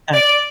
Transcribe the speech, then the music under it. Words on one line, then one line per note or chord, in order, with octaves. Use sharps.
Got you.
D5